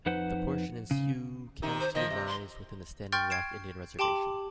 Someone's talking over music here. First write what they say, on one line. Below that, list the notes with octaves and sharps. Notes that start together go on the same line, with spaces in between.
The portion in Sioux County lies within the Standing Rock Indian Reservation.
F2 D#4 B4 C5 F#5
C#3
C3 D#3 D#4
C5
D#3 F3 D#5
C3
C6
G5 C6 C#6 F6 G6 A6
G#6 C7 D7 E7
G4 G5 A5 C6 D6 F#7